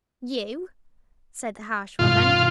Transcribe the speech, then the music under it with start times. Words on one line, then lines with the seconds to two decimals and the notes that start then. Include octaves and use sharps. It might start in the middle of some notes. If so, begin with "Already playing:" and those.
"You!" said the harsh woman.
1.99 G2 B2 D#3 F4